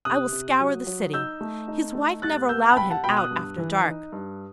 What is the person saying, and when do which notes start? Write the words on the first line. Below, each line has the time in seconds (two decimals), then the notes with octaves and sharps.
"I will scour the city." His wife never allowed him out after dark.
0.05 C3 D#6 F#6
0.33 C3
0.60 F#3
0.87 F#3
1.14 D#4 E6 G6
1.41 A3
1.68 D#4
1.95 A3
2.22 C2 F#6 A6
2.49 B3 E6 G6
2.71 A5
2.76 C2 G5 B5
2.90 F#5 A5
3.04 B2 G5 B5
3.17 D#6 F#6
3.31 G2
3.58 E3
3.84 D#4
4.12 G2